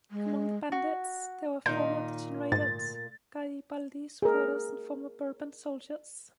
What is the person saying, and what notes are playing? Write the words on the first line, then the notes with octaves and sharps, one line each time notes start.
Among the bandits, there were former degenerated Garibaldi supporters and former Bourbon soldiers.
G#3
F#4
A#2 D#3 D#4 G6
D2 G#2 A6
G#4 A#4